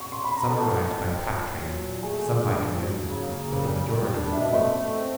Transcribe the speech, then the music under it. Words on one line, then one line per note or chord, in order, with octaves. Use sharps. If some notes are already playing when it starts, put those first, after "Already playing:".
Some arrived by pack-train, some by canoe, but the majority afoot.
C#6
C6
B5
A#5
E3 A4 A5
E3
C4
C4
A#2
A#2
F#3
A#2
A3 G#4 G#5
D3
D3
F3
F#3
C#3
A#3
C#3
G3
G3
G3
D4
B2 E5
D#5
A3 E5
A3
C4